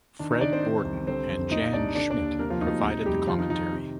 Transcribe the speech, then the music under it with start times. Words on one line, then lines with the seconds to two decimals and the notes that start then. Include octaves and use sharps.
Fred Borden and Jan Schmidt provided the commentary.
0.19 D#3 D4
0.31 D#4
0.41 D#3 D4 D5
0.52 C4 C5
0.63 C3
0.85 C2
1.07 D3 C4 C5
1.29 F2
1.51 A#2 D#4 D#5
1.73 C2 D4 D5
1.95 D3 D4 D5
2.11 D4 D5
2.17 D#2
2.39 C3 A#3 A#4
2.50 F3 F4
2.61 D2 D#4
2.83 C3 D#4
3.05 F2 G3 G4
3.27 D#3 F3 F4
3.39 D#4
3.50 D#3 D#4
3.72 C3